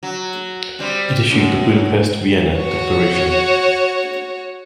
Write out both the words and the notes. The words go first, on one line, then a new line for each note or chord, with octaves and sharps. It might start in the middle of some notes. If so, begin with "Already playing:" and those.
It issued the Budapest-Vienna Declaration.
F#3
G3 C4
F#2
F#4 C#5